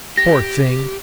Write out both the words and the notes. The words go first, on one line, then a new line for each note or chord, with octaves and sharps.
Poor thing!
G4 A#6